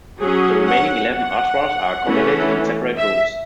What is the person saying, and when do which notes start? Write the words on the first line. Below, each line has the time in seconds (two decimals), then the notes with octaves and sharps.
The remaining eleven Azhwars are accommodated in separate rooms.
0.20 F#3 C#4 G#4
0.66 F#5
1.13 F#5
2.04 E3 A3 C#4
2.97 E5